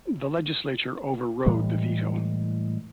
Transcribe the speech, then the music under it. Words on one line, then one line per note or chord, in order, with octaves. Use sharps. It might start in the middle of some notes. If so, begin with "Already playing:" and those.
The legislature overrode the veto.
A2 E3 G3 G#3